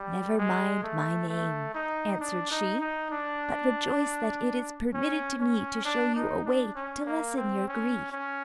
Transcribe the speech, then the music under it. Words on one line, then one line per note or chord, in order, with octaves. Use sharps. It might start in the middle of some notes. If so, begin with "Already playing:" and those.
'Never mind my name,' answered she, 'but rejoice that it is permitted to me to show you a way to lessen your grief.
Already playing: G3
G#3
A3
A3
D#4
D4
D#4
D#4
D4
C#4
C#4
D4
D#4
D4
C#4
A#3
C4
C#4
C#4